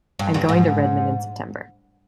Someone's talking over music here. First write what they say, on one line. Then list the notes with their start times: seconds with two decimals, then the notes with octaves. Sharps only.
I’m going to Redmond in September.
0.19 G2
0.34 G2
0.49 G#2